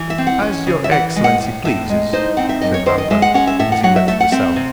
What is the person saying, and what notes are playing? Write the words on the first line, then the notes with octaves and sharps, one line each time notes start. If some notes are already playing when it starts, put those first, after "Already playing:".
"As your excellency pleases," said Vampa, as he left the cell.
Already playing: E3
E5
C4
F#5
C#4
C#3
E5
E3 F#5
G#3
F#5
A2
A2 E5
G#3
D#4 C5
C4 F#5
E5
F#2 D#5
C#5
D#3 C5
D#5
G#3 E5
F#5
C#4 F#5
E5
A2 E5
F#5
F#3 F#5
E5
A3 E5
F#5
C4 E5
C3